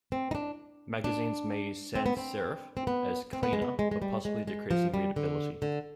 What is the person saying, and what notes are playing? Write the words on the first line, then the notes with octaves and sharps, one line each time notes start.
Magazines may use sans-serif as "cleaner", but possibly decreasing readability.
C4
D#4
D4
D4
C4
B3
C4
C4
B3
C4
B3
G#3
B3
G#3
G#3
G3
G#3
G#3
F3
G3
D3
D3